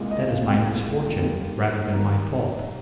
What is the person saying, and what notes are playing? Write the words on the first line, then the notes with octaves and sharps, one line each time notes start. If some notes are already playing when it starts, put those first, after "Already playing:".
"That is my misfortune, rather than my fault."
Already playing: C2 A#2 G#3
D#5
F5
C2 A#2 G#3 G5
D#2 D#3 G3 A#3
D#2 D#3 G3 A#3 A#5